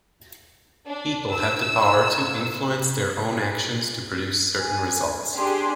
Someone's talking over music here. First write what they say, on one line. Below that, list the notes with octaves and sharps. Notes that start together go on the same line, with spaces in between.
People have the power to influence their own actions to produce certain results.
D4
E6
G#5
D4 G4 G#4 C6